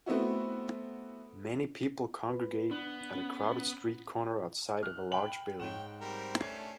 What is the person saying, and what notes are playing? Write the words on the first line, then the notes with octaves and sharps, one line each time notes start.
Many people congregate at a crowded street corner outside of a large building.
A3 B3 C4 E4 F#4
B4
B3 D4
C#4
F6 F#6
G5 B5 F#7
G#2 C#5 G5 E7
G3 C4 A#4
A3 C#4 D4 G#6 C7